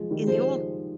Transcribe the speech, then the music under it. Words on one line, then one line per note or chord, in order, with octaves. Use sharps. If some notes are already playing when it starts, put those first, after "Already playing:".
in the old,
Already playing: F3 G#3
D#3 G3
F3 G#3 C5